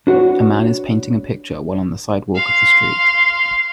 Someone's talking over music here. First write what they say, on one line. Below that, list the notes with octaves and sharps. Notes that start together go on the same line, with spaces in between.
A man is painting a picture while on the sidewalk of the street.
D4 F#4 B4 C#5
F5 C6